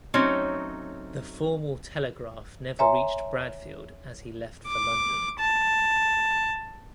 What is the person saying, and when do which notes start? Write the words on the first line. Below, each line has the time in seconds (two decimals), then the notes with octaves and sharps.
The formal telegraph never reached Bradfield as he left for London.
0.14 F#3 A3 C4 C#4 D#4
2.79 C#5 E5 G#5 A#5 C6
4.67 D6
5.39 A5